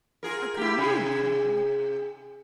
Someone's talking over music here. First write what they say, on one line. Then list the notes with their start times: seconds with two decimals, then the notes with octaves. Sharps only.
"A canoe!" cried he.
0.23 F4 G#4 A#4
0.57 E4 G4
0.78 C3 G#4